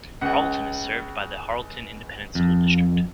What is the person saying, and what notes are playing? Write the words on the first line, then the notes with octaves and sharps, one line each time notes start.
Harleton is served by the Harleton Independent School District.
C#2 F#5
F2